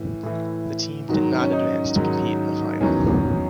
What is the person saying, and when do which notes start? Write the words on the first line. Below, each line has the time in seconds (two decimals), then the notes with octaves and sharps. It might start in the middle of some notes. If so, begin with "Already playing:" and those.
The team did not advance to compete in the final.
Already playing: A2 E3
0.23 A2 E3
1.08 G#2 D#3 F#3 F#4
1.41 C#4
1.52 D#4
1.95 G#2 D#3 F#3
2.80 E2 D#3 F#3 C#4